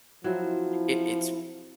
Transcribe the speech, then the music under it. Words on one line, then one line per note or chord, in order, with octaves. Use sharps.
it it's
F3 F#3 C4 E4